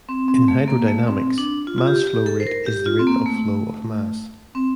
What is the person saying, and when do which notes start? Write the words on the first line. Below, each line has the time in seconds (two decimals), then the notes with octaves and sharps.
In hydrodynamics, mass flow rate is the rate of flow of mass.
0.09 C4
0.28 C4
0.48 A3
0.68 A#3
0.88 A3
1.07 C4
1.38 D4
1.67 F4
1.78 F4
1.87 G4
2.07 G4
2.26 A4
2.40 C5
2.47 A#4
2.66 G4
2.86 F4
2.99 C4
3.07 A#3
3.26 A3
4.55 C4